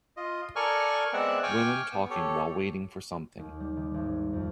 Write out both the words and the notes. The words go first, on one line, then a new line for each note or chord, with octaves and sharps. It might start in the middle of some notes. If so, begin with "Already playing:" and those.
Women talking while waiting for something.
F4 D#5
A4 A#4 D5 G#5 C#6 F6
G#3 B3 C4 D5 E5 F#5
G5 G#5 C#6 D6 F6
B3
G4 A4 C#5
D#2
G3
D#3
G#1
F2